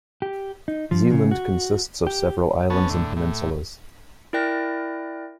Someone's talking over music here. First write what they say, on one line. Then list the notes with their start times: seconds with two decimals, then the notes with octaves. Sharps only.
Zeeland consists of several islands and peninsulas.
0.22 G4
0.68 D#4
0.91 F3
1.12 C#3
1.31 F#4
2.07 G4
2.70 B3 C#4 A5
2.90 A2 D3
3.17 A2
4.33 E4 A#4 D5 G5 F#6 A#6